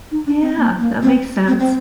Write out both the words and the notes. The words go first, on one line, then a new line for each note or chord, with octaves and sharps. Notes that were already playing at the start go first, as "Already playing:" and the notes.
Yeah. That makes sense.
D#4
D4
C4
A#3
A#3
C4
C4
C4